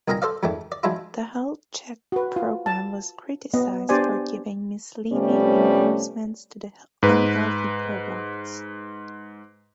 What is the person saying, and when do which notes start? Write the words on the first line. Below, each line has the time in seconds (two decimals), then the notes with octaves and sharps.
The Health Check program was criticized for giving misleading endorsements to unhealthy products.
0.08 C2 A#2 D#4 A#4 G#5 A#5
0.22 A4 C5 D5 F5
0.43 F2 G#2 D#3 A3 D4
0.72 D5
0.83 F3 F#3 G#3 D4 E4 F4
2.12 F#4 B4
2.36 F4
2.66 A5
3.54 B3 D#5
3.89 B3 D4 G4 C5 D5 G#5
5.13 C3 F3 G3 A3 B3 C#4
7.03 G#2 B4